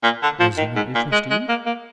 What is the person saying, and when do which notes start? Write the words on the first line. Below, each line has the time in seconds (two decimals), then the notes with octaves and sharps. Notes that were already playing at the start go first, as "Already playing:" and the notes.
'Was he not your trustee?'
0.03 A#2
0.22 D3
0.40 F3
0.57 D#3
0.76 G#2
0.95 A#2
1.12 G#3
1.31 G#3
1.49 A#3
1.66 A#3